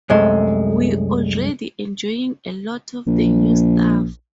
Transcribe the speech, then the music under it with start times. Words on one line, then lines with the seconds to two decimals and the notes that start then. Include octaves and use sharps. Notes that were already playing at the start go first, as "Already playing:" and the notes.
We're already enjoying a lot of the new stuff.
0.10 C2 F#2 G#3 A3
3.07 A#1